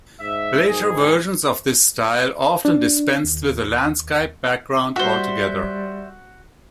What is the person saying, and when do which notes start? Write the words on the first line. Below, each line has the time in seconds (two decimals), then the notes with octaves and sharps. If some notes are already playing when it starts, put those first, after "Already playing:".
Later versions of this style often dispensed with a landscape background altogether.
0.20 G#2 E5
0.67 G#2 B2 D#3 G#4
2.65 D4
3.24 D#2
4.96 G3 F#4 C5 E5